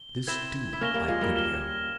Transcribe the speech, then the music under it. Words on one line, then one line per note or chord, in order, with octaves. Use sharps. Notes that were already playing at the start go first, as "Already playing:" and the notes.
This, too, I could hear.
Already playing: G7
C4 E4 G#6 E7 G7
E4
A#3 C#4 F6 A#6 E7 G7
G3 A#3
F3 G#3
G3 A#3
F6 A#6 E7 G7